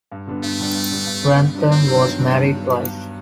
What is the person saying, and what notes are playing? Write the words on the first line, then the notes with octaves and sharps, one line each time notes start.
Grantham was married twice.
G2
D3 G3 B3 D4
G2 A3
D3 G3 B3 D4
G2
D3 G3 B3 D4
G2
D3 G3 B3 D4
G2
D#3 F#3 B3 D4
G2 C4
D#3 F#3 B3 D4
G2
D#3 F#3 B3 D4
G2